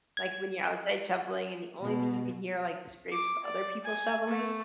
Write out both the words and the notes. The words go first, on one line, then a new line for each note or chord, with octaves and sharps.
like, when you're outside shoveling, and the only thing you can hear are, like, the scrapes of other people shoveling.
G#6
B2
D6
D5
G#5
A3